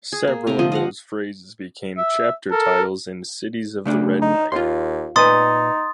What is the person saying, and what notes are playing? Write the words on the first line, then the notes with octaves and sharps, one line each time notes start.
Several of those phrases became chapter titles in "Cities of the Red Night".
G#4
A#3
C3 A#5
D3 F3 F4 D#5
D#5 F5 F#5
E5
A4 A#4
C#3 A3 D4
D#4
D#2 F4 C6
A#2 D#4 B4 G#5 C6 D#6 A6